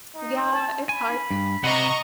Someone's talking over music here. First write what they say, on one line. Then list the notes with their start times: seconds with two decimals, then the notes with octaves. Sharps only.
Yeah, it's hard each year
0.14 D#4
0.52 A5
0.89 G#5 B5
1.31 G2
1.64 C3 D#5 F#5 A#5 C#6